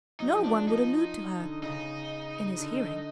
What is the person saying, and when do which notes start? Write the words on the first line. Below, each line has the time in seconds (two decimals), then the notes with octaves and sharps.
No one would allude to her . . . in his hearing.
0.20 F#3 D#4
0.33 F3
0.44 F3 D4
0.67 F3 D#4
1.39 D3
1.63 C#3 D#4
2.57 D3